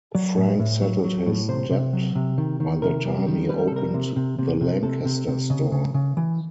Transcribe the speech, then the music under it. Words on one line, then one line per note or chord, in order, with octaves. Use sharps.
Frank settled his debt by the time he opened the Lancaster store.
F#3 D5
A2
A2
F#3
F#3
A2
C3 C5
C3
F#3
C3
D#3
D#3
C3 A#4
G3
D#3
G3 B4
A#4
A4
C3 A#4
C3
C3
C3
C3
C3 A4
C3
C3
C#3 D#5
C#3
C#3
E3